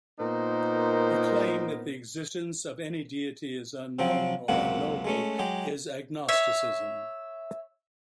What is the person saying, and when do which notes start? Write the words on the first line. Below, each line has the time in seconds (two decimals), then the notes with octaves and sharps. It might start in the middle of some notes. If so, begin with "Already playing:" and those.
The claim that the existence of any deity is unknown or unknowable is agnosticism.
0.19 A#2 B3 D#4 A#4 C5
3.99 C3 F3 F#3 C4
4.48 C#2 F#2 C3 A#3 F#4 F#5
5.04 G#3 A3 C#4
5.39 F#3 G#3 G4
6.29 C#5 E5